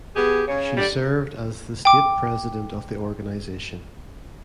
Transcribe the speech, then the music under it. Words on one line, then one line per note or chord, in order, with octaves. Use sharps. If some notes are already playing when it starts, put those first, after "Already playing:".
She served as the state president of the organization.
B3 G4 G#4
C#3 C#5
D3 G3 D5
G5 D6